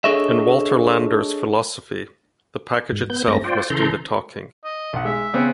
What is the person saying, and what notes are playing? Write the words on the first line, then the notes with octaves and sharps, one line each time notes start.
In Walter Landor's philosophy, The package itself must do the talking.
D4 G#4 A4 C#5 D#5 E5
G#2
B3 G6
G2 A3 C4 A#6
F4 C5 D5 G5
C#3 E3 A4 A#5 C6 G6
D#5
B1 F#5
G#3 E5
C#3 B3 C4